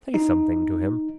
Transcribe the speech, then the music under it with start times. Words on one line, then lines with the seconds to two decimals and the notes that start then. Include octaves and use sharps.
Say something to him.
0.14 D#4